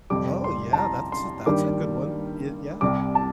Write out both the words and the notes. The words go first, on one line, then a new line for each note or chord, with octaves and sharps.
Oh yeah, that's a that's a good one, eh Yeah,
F2 C3 G3 D6
C6
A5
A#5
C6
G2 D#3 G3 A#3 D6
C2 C3 G3 D6
A5